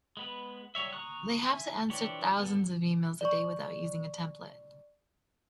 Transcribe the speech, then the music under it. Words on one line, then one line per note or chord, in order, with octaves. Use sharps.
They have to answer thousands of emails a day without using a template.
G#3 B3 B4
F#3 G3 C#5 E5
A#5 C#6 D#6 F#6
E5 G#5
E3 F3 D4 G4 C#5
B3 A4
D5 C#6